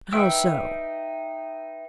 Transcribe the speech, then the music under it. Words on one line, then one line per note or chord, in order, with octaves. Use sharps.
"How so?"
D#4 B4 E5 G5 E6